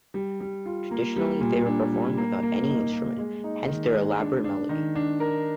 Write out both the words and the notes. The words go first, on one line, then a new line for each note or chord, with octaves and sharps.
Traditionally, they were performed without any instrument, hence their elaborate melody.
G3
G3
F4
A#3
G3
A#2
D4
G3
A#3
A#3
D#4
A#3
G#3
D#4
D#3
G#3
D4
D4
D#3
D4
A#4